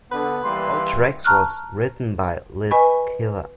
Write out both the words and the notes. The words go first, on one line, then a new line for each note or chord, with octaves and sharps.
All tracks was written by Lit Killah.
D3 B3 B4
E3 G3 A#3 C6
A5 A#5 C#6 F6 F#6
B4 D#5 G#5 B5 C#6